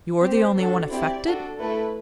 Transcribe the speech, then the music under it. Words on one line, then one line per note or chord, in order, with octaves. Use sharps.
'You are the only one affected?'
C4 G4 C5
D4 F#4 A4
C4 E4 G4 D5
D4 F#4 A4
A3 E4 A4 B4